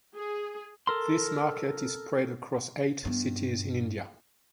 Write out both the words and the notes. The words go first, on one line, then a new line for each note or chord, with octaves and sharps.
This market is spread across eight cities in India.
G#4
A4 A#4 C6
G2 B3